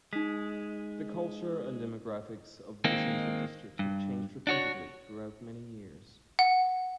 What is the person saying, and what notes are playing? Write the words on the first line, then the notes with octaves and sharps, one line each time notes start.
The culture and demographics of the Central District have changed repeatedly throughout many years.
G#3 D#4 B6
D#3 G#3 A#3 C4
G2
D4 F#4 C#5
F#5